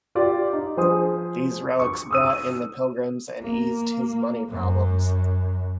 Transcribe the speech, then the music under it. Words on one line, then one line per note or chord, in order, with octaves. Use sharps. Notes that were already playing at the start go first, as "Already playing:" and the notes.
These relics brought in the pilgrims and eased his money problems.
F4 G4 D5
D#4
F3 G#4 C5 D#6
C#6
D#6 E6 D#7
A#3
F#2